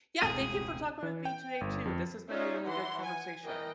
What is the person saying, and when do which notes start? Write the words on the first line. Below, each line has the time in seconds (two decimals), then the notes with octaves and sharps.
Yeah, thank you for talking with me today too. This has been a really good conversation.
0.21 E1 C#2 A2 C4 G#4 G5 D#7
1.03 E3
1.25 G5
1.61 G1
1.85 F2
2.29 C#4 D#4 F4 C#5 D5 E5
2.64 E3 F#5 C6
3.03 G#5
3.43 E3 A#4 D#5 G5